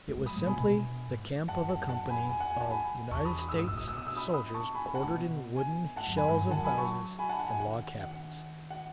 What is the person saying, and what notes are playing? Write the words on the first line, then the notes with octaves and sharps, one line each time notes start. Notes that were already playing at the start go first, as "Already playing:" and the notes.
It was simply the camp of a company of United States soldiers, quartered in wooden shells of houses and log cabins.
A3
G#3
F#3 B5 D#6
A2
B2 G#5 B5
B2
G#2
F#2 F#5 A5
F#5 A5
F#5 A5
G#5 B5
E2 G#5
F#5
G#5
F#5 A5
G#5 B5
E2 A5 C#6
B5 D#6
D#6
G#2 E6
A2 D#6
E6
A2
D#6
A2 E6
B2 D#6
E6
B5 D#6
B5 D#6
A5 C#6
G#5 B5
F#5 A5
A2
B2
G#5
A2 F#5 A5
F#2
E2 G#5 B5
G#2
F#2
D#3 F#5 A5
F#3
G#5 B5
E3
F#3 A5 C#6
G#5 B5
F#5 A5
F#5
G#5
D#3 F#5
F#5
F#5